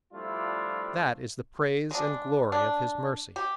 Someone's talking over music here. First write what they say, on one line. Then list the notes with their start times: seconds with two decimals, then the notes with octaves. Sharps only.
That is the praise and glory of His mercy.
0.13 F3 G3 A3 D4 E4 F4
1.91 G#3 D4
2.52 D4
3.36 G4